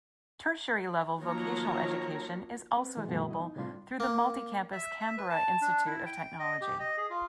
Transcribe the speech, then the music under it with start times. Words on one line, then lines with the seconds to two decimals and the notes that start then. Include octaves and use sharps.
Tertiary level vocational education is also available through the multi-campus Canberra Institute of Technology.
1.20 D#3 F3 F#3 A#3 C#5 A#5
2.77 C4 B4
2.97 B2 E3 G#3
3.09 G2 B2 D#3 F3 G3 A3
3.27 B3 E4 D#5
3.40 D#4
3.56 A2 C3 G3 D4 F4 C6
4.00 A#3
4.72 E5
5.00 E5
5.18 B4
5.30 A5
5.62 D4
5.86 E4
6.06 G5
6.40 D#5
6.62 G4
6.80 D#5
6.97 G#4
7.10 F4